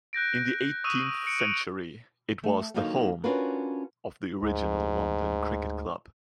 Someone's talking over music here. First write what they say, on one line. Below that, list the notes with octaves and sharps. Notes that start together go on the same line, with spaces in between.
In the eighteenth century it was the home of the original London Cricket Club.
F#6 G6 A#6 D7
C#6 D#6 E6 F#6 D#7
C#7 D7
D7 D#7 F7 F#7
A3
D#2 D3 F#3 A#3 D#4 F5
C#4 D4 F4 F#4 A#4 B4
D2 G#2